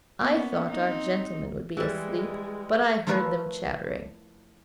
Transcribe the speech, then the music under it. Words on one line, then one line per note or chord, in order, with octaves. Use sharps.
I thought our gentlemen would be asleep, but I heard them chattering.
A#3 B3 C#4
C4 D#4
E3 G3 G#3
F3 A3 E4 A#4 B4 C#5